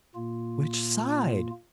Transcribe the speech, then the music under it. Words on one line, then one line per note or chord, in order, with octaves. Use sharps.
"Which side?"
A#2 A#3 F4